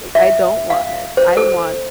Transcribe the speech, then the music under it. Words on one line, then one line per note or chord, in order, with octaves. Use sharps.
I don't want meds, I want
E5
F5
C5
A4